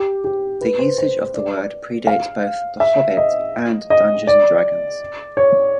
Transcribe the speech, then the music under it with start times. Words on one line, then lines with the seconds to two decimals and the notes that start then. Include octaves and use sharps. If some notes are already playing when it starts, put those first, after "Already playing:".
This usage of the word pre-dates both "The Hobbit" and "Dungeons and Dragons".
Already playing: G4
0.24 G4
0.61 B4
0.79 C5
0.98 C5
1.34 D5
2.07 F5
2.80 E5
3.17 D#5
3.90 D#5
4.27 D5
5.37 C#5